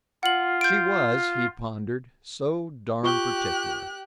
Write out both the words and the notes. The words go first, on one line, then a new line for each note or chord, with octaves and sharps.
She was, he pondered, so darn particular.
F4 F#5 F#7
G6 D7
F4 G4 C#6 F#6 G7